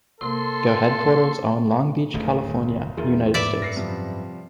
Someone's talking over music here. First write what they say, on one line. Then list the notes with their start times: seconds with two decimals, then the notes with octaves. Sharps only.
Their headquarters are in Long Beach, California, United States.
0.21 C3 A#3 A4 C6
2.14 D1 G#1 C#2 B2 A3
2.97 E2 D#3 E4 F4 G#4 A#4
3.34 G#2 B4 D5 E5 D6 A6
3.62 F#2 A#6 C7 C#7
3.76 C3 F3 G3